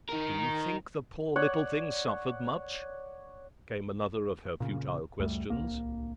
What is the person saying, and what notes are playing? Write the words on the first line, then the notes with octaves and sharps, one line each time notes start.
'Do you think the poor little thing suffered much?' came another of her futile questions.
D#3 A#4
C#5 D5 F#5
A#2 C#3
C#2 F#2 G3 A3
D1 G1 C2 A#3